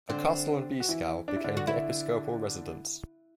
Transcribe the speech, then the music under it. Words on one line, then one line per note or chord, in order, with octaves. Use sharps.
The castle in Beeskow became the episcopal residence.
D3 C4 D4
F#4
E3 E4
D4
E4
D3 D4
F#4
E4